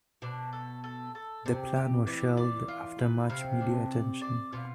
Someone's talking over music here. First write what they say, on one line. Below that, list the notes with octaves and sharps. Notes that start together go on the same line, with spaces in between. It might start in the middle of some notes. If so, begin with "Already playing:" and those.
The plan was shelved after much media attention.
B2 D4
A4
A4
A4
C3 D5
G4
E3 D5
D5
F4
B4
C3 F5
D4
D5
D5
B2 F4